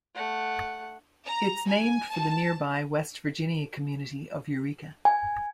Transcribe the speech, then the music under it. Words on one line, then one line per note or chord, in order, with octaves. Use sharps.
It's named for the nearby West Virginia community of Eureka.
A3 F#5
A#5
G#5
A5
G#5